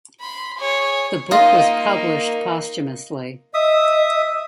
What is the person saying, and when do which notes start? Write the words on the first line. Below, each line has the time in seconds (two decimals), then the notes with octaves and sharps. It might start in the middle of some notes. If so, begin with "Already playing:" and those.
The book was published posthumously.
0.20 B5 C6
0.58 G#4 C#5
1.31 A#3 D#4 F4 D#5
3.54 D#5 E5 D#6